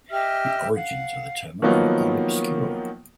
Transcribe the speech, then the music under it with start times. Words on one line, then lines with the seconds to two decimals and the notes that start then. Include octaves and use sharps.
The origins of the term are obscure.
0.10 G4 D#5 E5 F6
0.74 F5 F#5
1.62 D#3 F3 F#3 A#3 B3 D#4